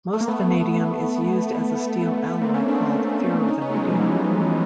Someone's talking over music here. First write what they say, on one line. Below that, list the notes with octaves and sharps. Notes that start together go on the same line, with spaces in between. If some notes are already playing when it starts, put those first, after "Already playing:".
Most vanadium is used as a steel alloy called ferrovanadium.
A3
A#3
A3 B3
A#3 C4
B3 C#4
C4 D4
C4 D4
C#4 D#4
B3 C#4
A3
F#3 G#3
F3 G3
E3 F#3